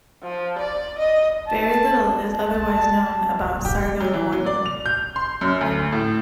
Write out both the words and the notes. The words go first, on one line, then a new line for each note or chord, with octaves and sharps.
Very little is otherwise known about Sargon I.
F3
D5
D#5
A5
A5
G4
F#3
E3
F#3
D5
F7
G6
C6
F#2
D2
A2